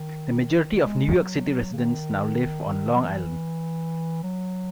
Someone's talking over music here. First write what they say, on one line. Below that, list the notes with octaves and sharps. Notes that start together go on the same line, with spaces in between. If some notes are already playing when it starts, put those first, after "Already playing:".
The majority of New York City residents now live on Long Island.
Already playing: D#3
D#3
G#3
G#3
F#3
C#3
D#3
F#3
E3
F#3